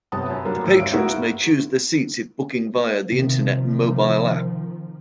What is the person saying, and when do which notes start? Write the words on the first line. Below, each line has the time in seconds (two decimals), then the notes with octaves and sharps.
The patrons may choose their seats if booking via the Internet and mobile app.
0.12 G1 C3 B3 A5 D#6
0.30 F#2
0.45 F#3 G3 A#3 D4
0.64 A2 E6
0.79 G#1 F5 D7
0.93 B3 E4 F#4 A#4
3.12 C3 D#3 F3